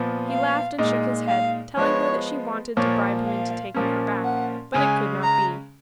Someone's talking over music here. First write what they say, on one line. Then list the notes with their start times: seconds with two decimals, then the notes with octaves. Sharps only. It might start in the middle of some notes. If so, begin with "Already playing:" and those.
He laughed and shook his head, telling her that she wanted to bribe him into taking her back, but it could not be.
Already playing: A#2 F3 B3
0.29 F5
0.78 A#2 G#3 D#4
1.28 F5
1.77 F3 G#3 B3 C#5
2.77 A#2 F3 A#3 C#5
3.26 F5
3.74 A#2 F3 A#3 C#4
4.24 F#5
4.73 C#3 G#3 C#4 G#5
5.23 A#5